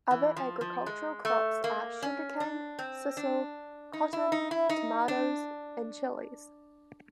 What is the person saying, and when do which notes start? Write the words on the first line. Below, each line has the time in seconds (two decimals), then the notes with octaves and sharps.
Other agricultural crops are sugar-cane, sisal, cotton, tomatoes and chillies.
0.11 E3
0.36 F3
0.61 F3
0.86 G#3
1.25 A3
1.64 A#3
2.02 C#4
2.40 D4
2.79 C4
3.17 D4
3.93 D#4
4.13 E4
4.32 D#4
4.51 E4
4.69 D#4
5.08 D4